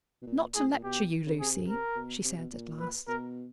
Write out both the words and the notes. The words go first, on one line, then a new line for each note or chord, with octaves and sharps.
"Not to lecture you, Lucy," she said at last.
B2
A#2
A2 G#4
A#2
B2 G4
C#3
C3 G#4
A#4
B2
C3
B2
A#2
B4
B2 A#4